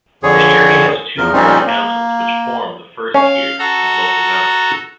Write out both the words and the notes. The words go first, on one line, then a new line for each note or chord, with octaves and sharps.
The area has two parish councils which form the first tier of local government.
F2 D3 G#4 C#5
E2 F3 A#4
A#2 F3 G3 C4 C#4 D#4
A#3
C#4 F5
F#4 A4 A#5